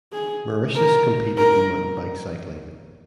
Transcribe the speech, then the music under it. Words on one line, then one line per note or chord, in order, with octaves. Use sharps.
Mauritius competed in mountain bike cycling.
G#4
A#4
A#4